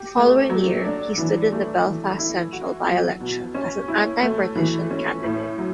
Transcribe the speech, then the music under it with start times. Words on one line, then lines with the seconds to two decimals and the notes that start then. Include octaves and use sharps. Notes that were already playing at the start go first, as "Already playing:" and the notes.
The following year, he stood in the Belfast Central by-election as an "Anti-Partition" candidate.
Already playing: G4
0.17 A3
0.49 F#3
0.84 D4
1.18 E3
1.52 A3
1.85 E3
2.19 E4
2.52 F#4
2.87 F#3
3.20 B2
3.54 C#4
3.88 E4
4.22 A3
4.55 E3
4.90 C#4
5.23 A2
5.58 F#3